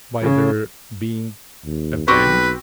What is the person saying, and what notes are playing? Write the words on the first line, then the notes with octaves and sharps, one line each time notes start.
By their being avenged?
C#3
D#2
B1 C4 F#4 G4 B4